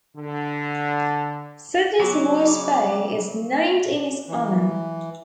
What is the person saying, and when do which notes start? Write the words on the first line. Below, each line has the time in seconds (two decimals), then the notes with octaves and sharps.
Sydney's White Bay is named in his honour.
0.16 D3
2.00 C#3 F#3 B3 F#4 D6
4.28 E3